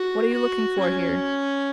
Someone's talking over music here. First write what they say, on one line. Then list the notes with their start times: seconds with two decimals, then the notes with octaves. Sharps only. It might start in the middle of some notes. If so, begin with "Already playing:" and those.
What are you looking for here?
Already playing: F#4
0.33 F#4
0.80 C#4